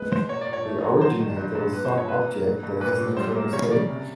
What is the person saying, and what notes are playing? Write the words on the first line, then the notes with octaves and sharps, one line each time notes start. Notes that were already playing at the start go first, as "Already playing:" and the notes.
The originator is some object that has an internal state.
Already playing: G#3 B4
B2 C5
A#3 C#5
D5
A#2
C#5
A3
F#3
F#3 C5
D#3
G2
G2
A#2 B4
C5
A#2
C#5
C3 B4
A#3
G2
G2
A#2 B4
A#2
G3 C5
A#3
C#3 C#5
C#3 D5
C3